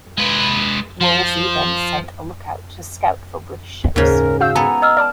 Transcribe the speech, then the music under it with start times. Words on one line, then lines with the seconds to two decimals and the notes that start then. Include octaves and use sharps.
Woolsey then sent a lookout to scout for British ships.
0.18 G#3 B4
1.01 F3
3.96 D#2 G#2 C#3 A#4
4.40 F#4 F5 E6 G6
4.56 B3 A4 G#5 A#5
4.82 D#5 E6 F6
4.97 D5 A5 F6